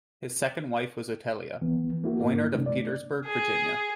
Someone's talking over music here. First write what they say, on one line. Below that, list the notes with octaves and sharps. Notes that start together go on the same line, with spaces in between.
His second wife was Otelia Voinard of Petersburg, Virginia.
D2 E3 B3
A#3 E4 F#4
G#2 A#3
G2 C3 A3 D4
D5
G#4